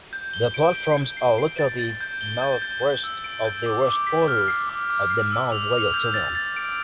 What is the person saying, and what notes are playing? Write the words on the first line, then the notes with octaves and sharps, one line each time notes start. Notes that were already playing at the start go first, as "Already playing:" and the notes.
The platforms are located northwest of the west portal of the Mount Royal Tunnel.
G6
G7
D7
G7
G6
C7
C7
A6
A6
G6
G7
G6
G6
G6
E6
D7
G6
D6
D6
B6
F6
C7
D6
D6
C7
E6
F7
F7
G6
A6
A6
D7